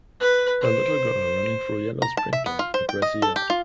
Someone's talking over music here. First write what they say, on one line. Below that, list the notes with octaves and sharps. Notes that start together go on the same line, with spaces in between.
A little girl running through yellow sprinkler in a grassy yard.
B4
C5
A#5
A5
E5
B3
F4
C5
G5
D#5
A4
G4
F4